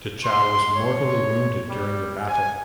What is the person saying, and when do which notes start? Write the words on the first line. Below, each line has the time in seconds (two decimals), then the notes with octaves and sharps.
Dechow was mortally wounded during the battle.
0.24 C6
0.75 C#5
1.69 G3
2.27 G#5